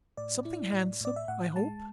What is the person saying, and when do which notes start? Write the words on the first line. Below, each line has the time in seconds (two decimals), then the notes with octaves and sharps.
"Something handsome, I hope?"
0.17 A2 D5
0.45 E4
0.73 A2
1.01 A2 D5
1.16 E5
1.28 A2 F#5
1.56 G#3 A5